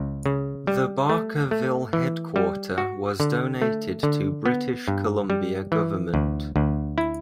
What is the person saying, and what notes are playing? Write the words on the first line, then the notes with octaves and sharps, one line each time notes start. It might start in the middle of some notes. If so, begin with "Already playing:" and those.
The Barkerville headquarter was donated to British Columbia government.
Already playing: C#2
C#3
G3
A3
A3
E3
G3
F#4
D3
A3
D3
B3
G2
G3
E3
D2
D2
E4